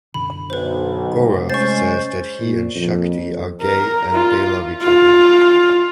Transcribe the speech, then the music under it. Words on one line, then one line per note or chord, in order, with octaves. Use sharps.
Gaurav says that he and Shakti are gay and they love each other.
F#2 B2 D3 B5
B1 B4 C5
C3 G3 A3
G#3 C#4 C5 C#6 A6
A#2
F2
A#4
F4
F4